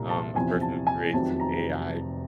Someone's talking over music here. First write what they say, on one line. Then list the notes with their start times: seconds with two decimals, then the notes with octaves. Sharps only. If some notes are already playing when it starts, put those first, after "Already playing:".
um, a person who creates AI
Already playing: C2 A#2 G3 A#5
0.09 A5
0.35 E2 C3 F3 G#5
0.61 A5
0.87 G#5
1.13 F1 F2 C3 D#3 F#3 A5
1.40 A#5